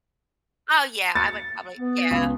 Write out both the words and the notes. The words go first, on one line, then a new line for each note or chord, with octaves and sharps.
Oh yeah, I would probably yeah,
A6 C#7
B3
C#2